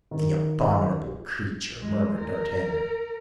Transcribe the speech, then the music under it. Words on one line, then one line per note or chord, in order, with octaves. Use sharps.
"The abominable creature," murmured d'Artagnan.
D#3
G#3
A#4